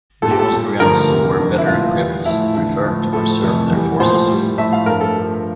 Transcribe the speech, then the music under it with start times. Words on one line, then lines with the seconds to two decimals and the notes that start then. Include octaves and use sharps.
The Austrians, who were better equipped, preferred to preserve their forces.
0.22 A#2 G3 A4
0.31 G4
0.39 A4
0.52 A#2 G3
0.80 G2 D3 F3 A3 A#4
1.10 E2 C3 G3
1.39 F2 D3 G3
1.58 E4
1.67 A#2 A3 F4
1.96 E2 E3 G3
2.25 A2 F3 A3 E4
2.54 E2 D3 A3
2.84 A2 F3 A3
3.12 A2 F3 A3 A4
3.41 F2 C3 E3 A3
3.70 E2 E3 G3
4.00 A#2 F3 A3 C5
4.28 A2 G3
4.58 A2 F3 A3 E5
4.73 F5
4.86 G2 F3 A3 A#4
5.01 A4
5.16 G2 F3 A3